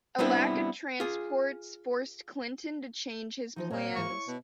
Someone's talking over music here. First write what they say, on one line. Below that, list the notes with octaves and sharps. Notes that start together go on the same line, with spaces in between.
A lack of transports forced Clinton to change his plans.
G3 B3 C4 D4 E4
F4 G#4
E3 F3 D#4 C5
A#2 A#3 C4 C#5
G#2 E3 C#6
E4 C#5
B2